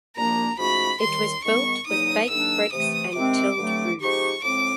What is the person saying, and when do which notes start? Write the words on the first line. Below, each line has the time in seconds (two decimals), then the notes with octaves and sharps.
It was built with baked bricks and tilled roof.
0.15 C2 A#2 F3 A#3 D4 A#5
0.58 G#2 F3 A3 C#4 F#4 B5
1.01 D#2 D#3 G3 C6
1.44 G#2 D#3 G3 B3 C#6
1.87 E2 C#3 F#3 A#3 D#4 D#6
2.29 G#2 D#3 F#3 A#3 D4 E6
2.72 C3 E3 A3 D#6
3.15 C3 D#3 G#3 C4 D6
3.58 G2 D3 F#3 A3 C4
4.01 F3 G#3 C4 D#4 G4 C#6
4.43 A2 F3 G#3 C4 D6